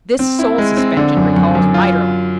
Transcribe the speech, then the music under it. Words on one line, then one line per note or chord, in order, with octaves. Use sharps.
This soul-suspension recalls Maeterlinck.
C4
E4
G#3
C4
D3
F#2
F#2
F#2
F4